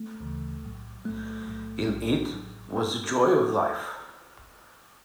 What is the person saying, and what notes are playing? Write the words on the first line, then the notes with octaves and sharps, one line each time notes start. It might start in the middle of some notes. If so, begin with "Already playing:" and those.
In it was the joy of life.
Already playing: A3
D2 C#3 E3
B1 A2 F#3
B1 A2 F#3 A3
B1 A2 F#3
B1 A2 F#3 G#3
A1 A2 F#3